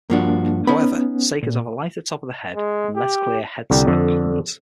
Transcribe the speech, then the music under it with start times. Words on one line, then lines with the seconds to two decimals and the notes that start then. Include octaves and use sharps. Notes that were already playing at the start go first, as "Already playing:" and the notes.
However, sakers have a lighter top of the head and less clear head-side patterns.
0.10 G2 F3 A#3 D4 F#4
0.67 B3 C#4 D#4 B5
1.43 A#2
2.55 G#3
2.96 G4
3.70 C2 D3 G3 G4
3.87 F2 D3 D4 A4